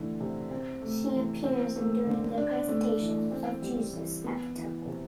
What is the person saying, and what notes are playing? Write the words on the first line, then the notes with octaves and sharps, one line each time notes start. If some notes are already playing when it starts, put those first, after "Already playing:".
She appears in during the presentation of Jesus at the Temple.
Already playing: D3 E3 A3
C3
C4
A3
E3
C4
A3
D3
D4
A3
E3
C4
G3
E3
B3
E3
C3